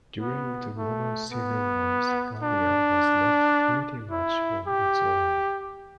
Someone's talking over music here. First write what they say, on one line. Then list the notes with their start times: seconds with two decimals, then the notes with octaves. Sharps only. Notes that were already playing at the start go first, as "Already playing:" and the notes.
During the Roman civil wars Gallia was left pretty much on its own.
0.21 B3
0.76 A3
1.31 B3
2.43 D4
4.11 E4
4.67 G4